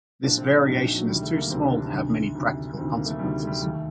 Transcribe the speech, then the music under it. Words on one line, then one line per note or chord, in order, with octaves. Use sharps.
This variation is too small to have many practical consequences.
A#1 A#2 D4
C4
D4
A#1 A#2 D#4
D4
F#3
D2 C3 D#3 G3
A3
A#3
D2 C3 D#3 C4
D4
D4
D2 C3 D#3
D2 C3 D#3
D2 C3 D#3 C4
A#3
A3
D2 C3 D#3 G3
A3
G3
D#2 D#3 A3